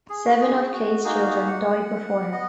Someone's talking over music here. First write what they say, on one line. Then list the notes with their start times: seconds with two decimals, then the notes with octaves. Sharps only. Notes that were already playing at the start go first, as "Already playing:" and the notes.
Seven of Clay's children died before him.
0.09 G#4
0.25 F#4
0.41 G#4
0.66 G#4
0.73 F#4
1.04 A#3 D#4 F#4 G#4
1.26 G#4
1.47 F#5
2.32 B3 D#5